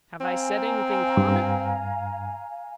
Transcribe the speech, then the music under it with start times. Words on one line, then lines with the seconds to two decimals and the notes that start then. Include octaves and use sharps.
"Have I said anything comic?"
0.21 C4 F5 G#5 A#5
1.17 G2